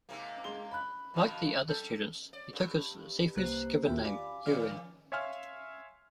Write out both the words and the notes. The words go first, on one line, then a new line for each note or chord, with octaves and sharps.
Like the other students, he took his sifu's given name - "Yuen".
G#2 C3 A#3
G#3 C6 G7
B5 F#6
B2 D#3 F3
G3 A4 G6
D5
G2
C2 A#3 C5 F#6
D#2 F4 F#4 E5 G5
D5 F5 G#5 B5 D6
D3 D#3 F3 C#4 D5 F6
C#5 E5 F5 G#5 C6 F6